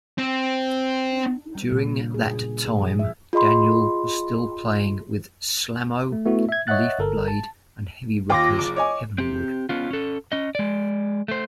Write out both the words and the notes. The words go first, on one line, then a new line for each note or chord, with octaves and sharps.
During that time Daniel was still playing with Slamo, Leafblade, and heavy rockers Heavenwood.
C4
G3
A#2
C#3
D4
G#4
G#4
G#4
F3
E5
F4 G#4 D#5 B5 C6
A3
A3 B3 E4 F#4
E5 G#6
C#5 D#5 E5 F#5 F#6 A6
G1 A4 A#4
A5
D#2 F4 G5 C6 D6 A#6
F#1 D6
C#5 D#5 G#5
C4 G4
B3 C#4 F4
C#4 A4
C#4 D#5
G#3 D5
A3 C5